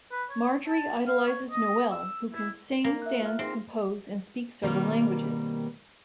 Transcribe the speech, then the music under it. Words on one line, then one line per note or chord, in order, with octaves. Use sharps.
Marjorie idolizes Noel, who can sing, dance, compose, and speak several languages.
B4
C#5
A5
F5
C#5
D#5
E6
E4
A#3
E5 F#6
F4 F6
C4 D#4 G#4 A#6
B2 D#3 G3 A#3 C4